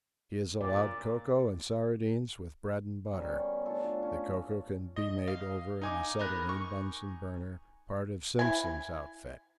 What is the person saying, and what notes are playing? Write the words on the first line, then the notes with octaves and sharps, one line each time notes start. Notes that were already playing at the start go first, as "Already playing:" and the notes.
He is allowed cocoa and sardines with bread and butter--the cocoa can be made over an acetylene Bunsen burner, part of Simpson's outfit.
A#2 D5
B2 D#3 G3 C#4
A2 D4 F4 A4
C#4
D#5
F5
D#4 G#5 D6
B3 A#4 F#6
C#6
E4 G#5